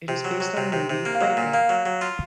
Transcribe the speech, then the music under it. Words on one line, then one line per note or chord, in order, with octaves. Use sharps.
It is based on the movie "Fright Night".
C3
F#3
F#3
C3
C3
C3
A#3
F5
F#3 F#5
A#2
A#3 F5
F#3
F#3
F4